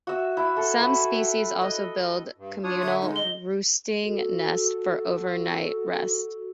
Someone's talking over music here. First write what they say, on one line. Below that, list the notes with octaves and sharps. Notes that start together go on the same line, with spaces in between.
Some species also build communal roosting nests for overnight rest.
F#4 E5
E4
A4
F#4 B4
G5
D#5
G2
D4 F4 C#5 D#6
D3 E5
G#3 D#4
D#5 G7
F#4 A4